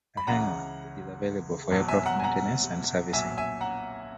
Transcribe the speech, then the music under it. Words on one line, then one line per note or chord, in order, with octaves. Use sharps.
A hangar is available for aircraft maintenance and servicing.
B5
C#2 C#3 E3 F#5 A#5
F#1 E2 B2 F#3
E5 G#5
F#5 A#5
G#5
F#5 A#5
B1 A#2 F#3 E5 G#5
E5 G#5
F#5 A#5